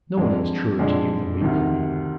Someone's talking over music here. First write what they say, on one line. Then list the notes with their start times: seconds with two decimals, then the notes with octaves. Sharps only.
No one was truer to you than we were, you know.
0.17 F2 D3 G#3 D4
0.79 F2 D3 G#3 D4
1.41 D2 C3 D#3